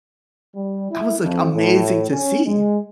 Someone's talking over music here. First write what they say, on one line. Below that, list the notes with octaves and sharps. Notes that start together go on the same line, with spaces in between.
That was, like, amazing to see.
G3
E4
F2
A2
C#4
G#3